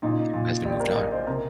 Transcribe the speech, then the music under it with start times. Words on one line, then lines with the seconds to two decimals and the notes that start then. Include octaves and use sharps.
you guys have moved on.
0.02 A#2 D#4
0.33 A#2
0.65 A#1 G4
0.80 A#4
0.96 A#1 D#5
1.12 C5
1.27 C3 A#4